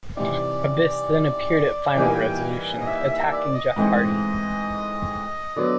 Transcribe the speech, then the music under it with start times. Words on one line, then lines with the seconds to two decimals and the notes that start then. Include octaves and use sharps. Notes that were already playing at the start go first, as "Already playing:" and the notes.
Abyss then appeared at Final Resolution, attacking Jeff Hardy.
0.16 C3 E3 G3 C4 D#4 D5
1.96 E3 G3 A#3 D#4 G5
2.05 G#5
2.14 G5
2.81 D#5
2.86 E5
3.09 E5
3.31 D5
3.54 D#5
3.76 G#2 E3 A3 C4 D#4
5.56 D3 F#3 B3 D5